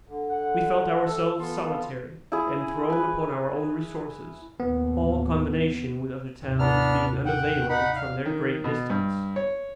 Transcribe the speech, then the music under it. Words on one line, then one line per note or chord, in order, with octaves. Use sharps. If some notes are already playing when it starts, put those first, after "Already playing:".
We felt ourselves solitary, and thrown upon our own resources; all combination with other towns being unavailing from their great distance.
D3
F#5
D2 A4
E3 B3 F4 A4 C6
E4 G#4
B4 G#5
D#2 A2 B3
D#2 G#2 C3
B3 D4 E4 A#5 F6
F#5 G5
D#4 F#5 B5
D5 F5 F6
D#3
B2
G2
C#5